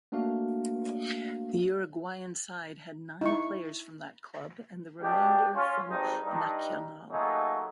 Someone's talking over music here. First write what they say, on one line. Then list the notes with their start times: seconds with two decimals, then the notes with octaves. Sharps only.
The Uruguayan side had nine players from that club and the remainder from Nacional.
0.12 A3 A#3 D4 F#4 F5
3.21 D#4 E4 C#6
5.01 C#2 B2 D4 G4
5.55 C#4 F4
5.89 G#1 G2 D#4
6.24 G2 D#4
7.11 F#3 A3 A#3 D#4 F4 G#4